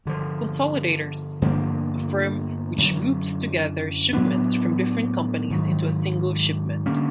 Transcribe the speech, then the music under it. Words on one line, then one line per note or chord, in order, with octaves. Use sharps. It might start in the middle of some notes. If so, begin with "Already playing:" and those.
Consolidators: a firm which groups together shipments from different companies into a single shipment.
G2 D3 F3
G2 D3 F3 A#3
F#2 D3 F#3
A2 F#3 B3 D4
G#2 D#3 F#3
D3 G3 A#3 C#4